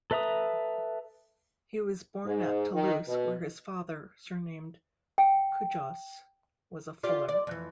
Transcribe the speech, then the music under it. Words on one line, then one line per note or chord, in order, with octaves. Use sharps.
He was born at Toulouse, where his father, surnamed Cujaus, was a fuller.
A4 B4 E5 A#5 D#6
G#2
D#3
B2
G5
F4 G4 D5
D5
F2 E3